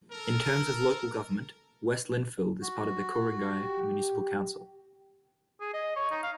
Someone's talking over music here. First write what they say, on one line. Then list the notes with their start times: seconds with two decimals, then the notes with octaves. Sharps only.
In terms of local government, West Lindfield is part of the Ku-ring-gai municipal council.
0.12 A4 A#4
2.62 F#4
3.59 G4
5.61 G#4
5.74 D#5
5.96 C#5
6.11 D#4
6.23 F5